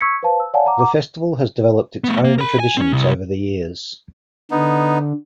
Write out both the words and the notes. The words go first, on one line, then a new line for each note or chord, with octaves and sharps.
The festival has developed its own traditions over the years.
C#6 E6 G#6 B6 C#7
B4 C5 F5 A5
E6
C#5 D5 F5 F#5 G#5 A5
F#5 A#5 D6
F#5 A#5 D6
A3 B3
A#3
A#4 B5
G#5
C4 C#4
C2
D3 B3 D#4